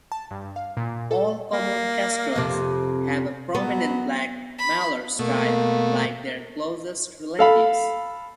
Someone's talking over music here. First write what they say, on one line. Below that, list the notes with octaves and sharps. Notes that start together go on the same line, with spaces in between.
All common kestrels have a prominent black malar stripe like their closest relatives.
A5
G2
F5
A#2
A4
A#3
F2 C3
F#3 B3
B5
B2 A3 A#3
A4 F5 B5